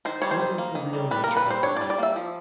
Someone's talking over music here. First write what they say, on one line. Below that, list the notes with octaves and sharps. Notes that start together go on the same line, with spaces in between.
What was the real nature of her act?
D#3 C5
G3 C#5
C5
D#3
A#3
D#3
G3
G3 B4
A#3 A#4
B4
G3 C5
D4 C#5
D5
G3
D5
A#3 E5
F3